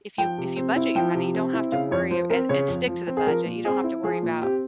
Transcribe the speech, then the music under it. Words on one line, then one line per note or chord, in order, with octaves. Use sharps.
if you if you budget your money, you don't have to worry- and and stick to the budget- you don't have to worry about
F3 G5
C3
C4
E4
F3 G5
C3
C4
E4
C#3 F5
F2 C#5
F3 C5
C4 A#4
C#3 C#5
F2
F3
C4
G#4
F3 A#4
A#2
C4 G#4
E4
F3 G#4
A#2
C4 G4